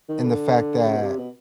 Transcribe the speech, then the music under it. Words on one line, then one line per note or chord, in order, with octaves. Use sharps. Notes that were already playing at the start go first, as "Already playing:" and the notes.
in the fact that
D#3
D3
C#3
B2
C3
B2